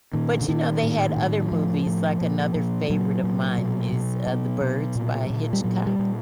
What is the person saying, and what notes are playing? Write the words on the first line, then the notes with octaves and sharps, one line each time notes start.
But you know, they had other movies, like another favorite of mine is, uh, The Birds by Hitchcock.
A#2 D#3
D3
A#2 D#3
A2
A2
A2 F3
A2
A#2
A#2
A#2 F#3
A#2
B2
B2
B2
B2
A#2
A#2
G3
A#2 F#3
G3
A#2